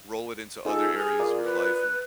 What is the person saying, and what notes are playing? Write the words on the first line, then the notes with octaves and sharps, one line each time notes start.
roll it into other areas of your life, and
D#4 F4 G#4 A4
G#4 F6
F4 A#4 D5
B4